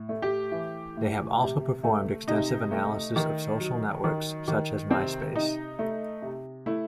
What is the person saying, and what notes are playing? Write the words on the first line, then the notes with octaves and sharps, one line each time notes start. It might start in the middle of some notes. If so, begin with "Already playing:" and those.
They have also performed extensive analysis of social networks such as Myspace.
Already playing: A2
A3
G4
E3
A2
C3
A3
C3 D#4
A3
D#3
F#3
D#3
D#3
C3 C4
C3 D#4
A3
C3
A3 E4